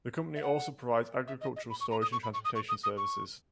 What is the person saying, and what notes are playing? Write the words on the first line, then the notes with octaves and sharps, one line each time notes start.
The company also provides agricultural storage and transportation services.
E5
F#5
E5
D#5
D#5
B5
C#6
A#5
D#6
C#6
B5
C#6
D#6
C#6
D#6
D#6
C#6